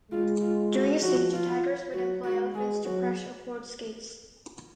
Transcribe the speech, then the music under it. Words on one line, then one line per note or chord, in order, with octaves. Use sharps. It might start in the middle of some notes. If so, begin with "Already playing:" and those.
During a siege, attackers would employ elephants to crush a fort's gates.
G#3 F4
F4
F#4
F3 F#4
F4
F3
F#3 F#4
G#3 F#4
G#3 G#4
F#3 F#4